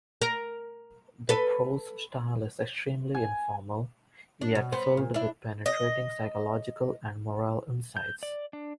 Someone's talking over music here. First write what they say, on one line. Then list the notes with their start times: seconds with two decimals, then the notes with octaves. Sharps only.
The prose style is extremely informal, yet filled with penetrating psychological and moral insights.
0.22 A#4
1.29 A4 B4
3.15 G#5
4.41 D4
4.55 B2
4.72 B3 C5
4.97 A#2
5.14 D4 E4
5.66 D#5
7.97 G6
8.23 D5
8.53 D4